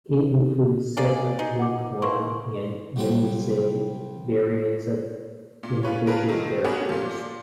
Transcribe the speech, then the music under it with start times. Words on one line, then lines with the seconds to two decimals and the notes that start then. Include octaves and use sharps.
It includes separate "Orkhon" and "Yenisei" variants of individual characters.
0.97 A#3 G#4 D5
1.14 G#5
1.39 D#4 G#4
1.59 F#5 D6
2.02 A#3 B4 C6 C#6
2.96 C2 F#3 G3 C4 G#5
5.63 A#2
5.83 C#4 F4 B4 C#5
6.06 G#4 A#4 B4 F5 A5
6.28 G2 C3 D#3
6.64 B3 C#4 D4 F#4 G#4 A#4
6.89 A#2 F3